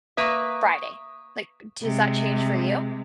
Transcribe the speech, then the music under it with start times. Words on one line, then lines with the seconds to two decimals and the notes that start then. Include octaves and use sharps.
Friday." Like, does that change for you?
0.17 A#3 B4 E5 C#6 D#6
1.83 C3 G#3